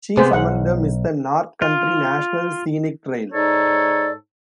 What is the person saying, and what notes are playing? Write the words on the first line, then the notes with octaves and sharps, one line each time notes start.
Chief among them is the North Country National Scenic Trail.
C3 B3 G#4 C5
B1 F#5
F4
G#2 D#4 A4 C#5 D5